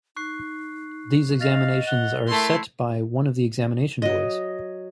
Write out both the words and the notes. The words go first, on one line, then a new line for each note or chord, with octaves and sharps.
These examinations are set by one of the examination boards.
D#4 C#6 F#6 C7
D#5 F5 A6 A#6 F7
F#5 G7
A3 E4 A#4 C6
F#3 D#5